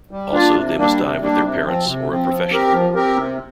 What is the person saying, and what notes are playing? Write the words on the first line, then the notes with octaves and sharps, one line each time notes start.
Also they must dive with their parents or a professional.
G3
A#3 D4 F4
C3
G3 A#3 D4
C3
G3 A#3 D4
C3
F3 C4
C3
F3 C4
F3
C4 G4 A#4
F3
C4 G4 A#4
C3